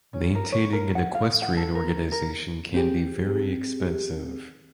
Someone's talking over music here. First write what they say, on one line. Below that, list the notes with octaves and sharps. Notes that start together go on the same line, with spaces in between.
Maintaining an equestrian organization can be very expensive.
C#4
A#4
C#5
A#4
F#5
F5
F#5
A4
A#4
A#4
C4 G4 G#4